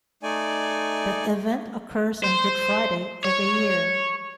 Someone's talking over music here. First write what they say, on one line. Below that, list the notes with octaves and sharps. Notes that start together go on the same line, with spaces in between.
The event occurs on Good Friday every year.
A3 D#4 D5 G#5
C5
C#5